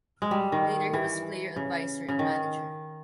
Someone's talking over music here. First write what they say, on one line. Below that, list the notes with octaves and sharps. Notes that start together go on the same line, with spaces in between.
Later he was player advisor and manager.
G#3
G3
D#3
E3
C#3
C#3
D#3